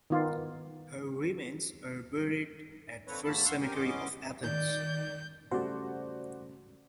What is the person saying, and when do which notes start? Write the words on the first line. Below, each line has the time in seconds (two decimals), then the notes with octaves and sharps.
Her remains are buried at First Cemetery of Athens.
0.10 D#3 B3 F4
3.07 D3 F3 C4 B4 C#5
3.24 E2 A2 A3 A#3 A5 B5
3.45 F5 F#5 C6 C#6 E6 F6
3.61 C4 G4 A#4 G#5
3.75 E3 B3 C#4 D#5 C6 D6
4.43 D#3 D5 G6
5.51 C#3 G3 A3 F#4 C5 D5